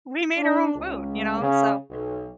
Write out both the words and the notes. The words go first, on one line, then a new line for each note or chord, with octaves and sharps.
we we made our own food, you know, so
D4
C#2
C#3
B1